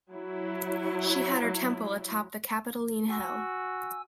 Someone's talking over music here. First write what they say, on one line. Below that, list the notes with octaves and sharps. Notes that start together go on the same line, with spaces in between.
She had her temple atop the Capitoline Hill.
F#3 E4
F#4 G#5 E6